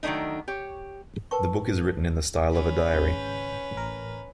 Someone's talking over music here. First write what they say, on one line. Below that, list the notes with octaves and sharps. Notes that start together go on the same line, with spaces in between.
The book is written in the style of a diary.
D#3 F#3 G#3 A3 D4 D#4
G4 C#5
A#4 B4 G5 A5 C#6
C#4 B4
G#1 C#3 G6
A1 A#4